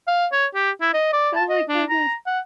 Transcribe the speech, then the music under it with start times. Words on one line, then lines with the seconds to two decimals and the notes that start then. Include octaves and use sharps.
Oh my goodness.
0.08 F5
0.32 C#5
0.55 G4
0.81 E4
0.94 D#5
1.13 D5
1.36 A5
1.49 D#5
1.68 D4
1.89 A#5
2.26 F#5